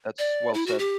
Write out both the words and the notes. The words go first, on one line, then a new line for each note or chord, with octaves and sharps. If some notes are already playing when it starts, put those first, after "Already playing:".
That's well said.
D5
E4
F#4
G4